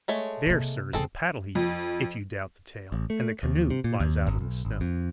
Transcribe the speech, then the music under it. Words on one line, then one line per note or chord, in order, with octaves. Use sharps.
There, sir, is the paddle he used, if you doubt the tale, and the canoe lies out in the snow.
G#3 A3 C#5
C3 A#3
E2 C#3 C4 G#4 A4
F2
A1
A3
D#2
C3
A#2
D#2
G#1
B1
G#1
F2